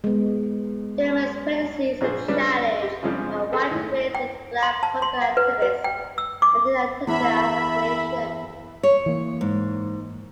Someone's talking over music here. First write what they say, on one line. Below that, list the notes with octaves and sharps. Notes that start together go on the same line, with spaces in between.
Dilman's presidency is challenged by white racists, black political activists, and an attempted assassination.
G#3 B3
A#1 G#4 C5
C#3 G3 C#4 D4 B4
G4
C#3 F3 G3 G#3 C4 D4
G#4 A4 B4
D#2 A2
G5
C6
A5
C6
F#5
B4
B4
G5
E6
D6
E2 E5 B5
C#5
E3 A#3
G#2